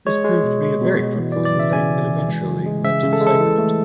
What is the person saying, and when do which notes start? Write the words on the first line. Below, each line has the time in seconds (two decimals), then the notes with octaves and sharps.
This proved to be a very fruitful insight that eventually led to decipherment.
0.07 G#3 C#5
0.24 G#3
0.44 B2
0.62 G#3
0.81 B2
0.99 B2
1.18 E3
1.32 E3 D5
1.45 D5
1.55 C#3 E5
1.73 C#3 G#5
1.92 C#3
2.10 E3
2.29 G#3
2.47 C#3
2.66 G#3
2.84 C#3 E5
3.03 C#3
3.13 A4
3.21 G#3
3.26 A4
3.40 E3
3.58 A3